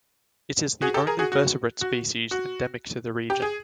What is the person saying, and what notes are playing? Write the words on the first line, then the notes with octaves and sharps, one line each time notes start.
It is the only vertebrate species endemic to the region.
F#4 G#4
G4 A4
G#4 A#4
F#4 G#4
F#4
F#4
F#4
G4
G#4